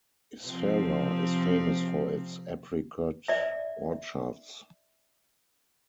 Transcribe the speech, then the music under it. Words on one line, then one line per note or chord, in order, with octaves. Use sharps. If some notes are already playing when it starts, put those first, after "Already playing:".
Isfara is famous for its apricot orchards.
C3 F3 C4
D5 E5